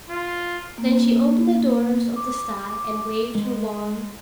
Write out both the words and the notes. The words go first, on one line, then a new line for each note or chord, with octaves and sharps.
Then she opened the doors of the sty and waved her wand.
F4
A#3
D6
D6
G#3